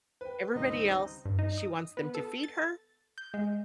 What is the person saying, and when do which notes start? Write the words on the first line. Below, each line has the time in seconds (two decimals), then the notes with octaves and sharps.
everybody else, she wants them to feed her,
0.21 B4 G5
0.55 C#2 G2 D#3 C4 D#4 D#5
1.25 G2
1.39 D#4
1.58 D#6
1.97 B3
2.15 A4
2.44 A6
3.18 G6
3.34 G#3